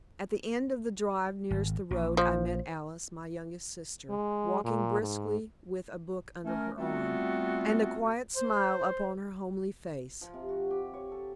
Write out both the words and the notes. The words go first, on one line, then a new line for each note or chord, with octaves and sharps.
At the end of the drive nearest the road, I met Alice, my youngest sister, walking briskly with a book under her arm, and a quiet smile upon her homely face.
G#1
A#1
F3
G#3
A#2
G#2
A3 C#4 A#4
G3 A3 B3 C4 F4 F#4
C5
F3
C3
F#4
G4
C#5
A4